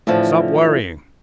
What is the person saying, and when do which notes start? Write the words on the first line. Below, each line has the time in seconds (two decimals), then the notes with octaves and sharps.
"Stop worrying!"
0.07 A2 D3 E3 F3